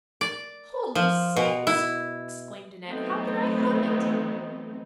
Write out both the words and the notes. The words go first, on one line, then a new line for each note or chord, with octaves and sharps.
'Holy Saints!' exclaimed Annette, 'how can I help it!
D5
F3
B2
E4
E3 F#3 A3 B3 C4 D#4